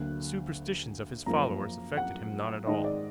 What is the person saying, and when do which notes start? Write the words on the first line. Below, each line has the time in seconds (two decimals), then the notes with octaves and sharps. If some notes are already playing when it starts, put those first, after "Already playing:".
The superstitions of his followers affected him not at all.
Already playing: D2 D3 F#3 A#3 F#6
1.26 F#2 F3 A#3 A#5
1.97 F#5
2.67 G#2 D#3 G#3 D#5
2.84 D5